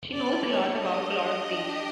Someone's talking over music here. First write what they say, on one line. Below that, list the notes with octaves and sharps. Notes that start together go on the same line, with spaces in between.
She knows a lot about a lot of things.
A3 D4 G4 D5
C#5
D#5
D4 G4